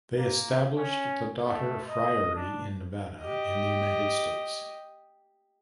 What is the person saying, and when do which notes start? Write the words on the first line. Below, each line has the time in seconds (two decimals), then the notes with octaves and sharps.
They established the daughter friary in Nevada in the United States.
0.18 A#3
0.77 C#4
1.45 A3
1.88 D#5
2.36 D4
3.21 G4 D#5